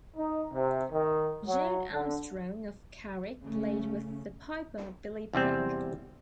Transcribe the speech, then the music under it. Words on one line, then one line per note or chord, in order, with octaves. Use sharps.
John Armstrong of Carrick played with the piper Billy Pigg.
D#4
C3
D#3
F#3
D3
C#3 A3 C#4
E2 C3 G3 C4